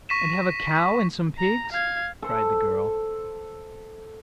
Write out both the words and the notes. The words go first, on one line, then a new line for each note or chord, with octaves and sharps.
"And have a cow and some pigs!" cried the girl.
C#6 A#6 B6 D#7 E7
A#5
F5 G#6
A4 C5